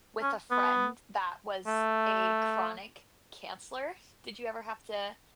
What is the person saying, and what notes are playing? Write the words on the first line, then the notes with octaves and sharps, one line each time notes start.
with a friend that was a chronic canceler? Did you ever have to
C#4
B3
A3